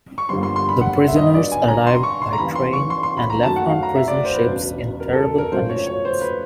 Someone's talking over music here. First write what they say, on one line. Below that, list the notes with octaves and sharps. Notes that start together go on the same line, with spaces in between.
The prisoners arrived by train and left on prison ships in terrible conditions.
C#6
G1 F2 D3 G3 A#3 C6
C6
C6
B5
F#5
E5
D#5
G#1 G2 D3 D5
G#5
A#5
C6
C#6
C6
A#5
D#2 C#3 E3 B5
C6
C#6
C6
C6
B5
A#5
F#2 D#3 F#3 A3 A5
F#5
F5
A#5
E5
D5
C5
B4
E1 D2 C#3
A#4
A4
A#4
G#1 F#2 C#3 F3 A3 C5
C#5
C#5
C5
B4